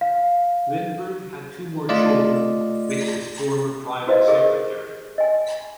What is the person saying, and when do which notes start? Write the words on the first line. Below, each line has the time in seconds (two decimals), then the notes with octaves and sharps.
Lindbergh had two more children with his former private secretary.
0.01 F5
1.89 A3 F4 D5 D#5 F5
4.07 E4 F#4 B4 C5 D#5 F5
4.27 G4 G#4 A#4 D#5
5.18 D#5 G#5